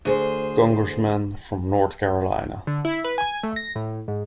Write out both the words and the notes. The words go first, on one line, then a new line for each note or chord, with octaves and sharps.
Congressman from North Carolina.
D2 G#4 C5
D3
E4
B4
G#5
A3
A#6
A2
G#2